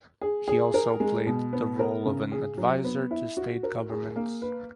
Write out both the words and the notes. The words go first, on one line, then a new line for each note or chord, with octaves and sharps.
He also played the role of an advisor to State governments.
G#4
G#4
A#4
G#3
B2
B3
A#4
C#3
G#4
F#3
B3
E4
F#4
A#4
G#4
A#3
B4